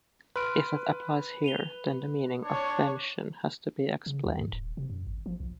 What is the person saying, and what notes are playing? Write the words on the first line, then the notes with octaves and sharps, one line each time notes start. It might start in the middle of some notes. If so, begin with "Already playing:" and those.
If that applies here, then the meaning of 'Vention' has to be explained.
B4 C6 F6 D7
D#7 F7 G7
D4 C#5
C#3
D#2
G#2
D#1
C3
F#2
G#1
F3
B1